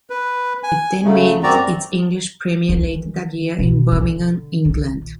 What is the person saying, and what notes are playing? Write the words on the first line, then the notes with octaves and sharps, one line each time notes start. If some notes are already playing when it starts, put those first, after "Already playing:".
It then made its English premiere later that year in Birmingham, England.
B4
G#5
C#3 F#3 A3
F#2 C4 F#4 D5 A#5
D#3 E3
B2
D3
A#1 D#3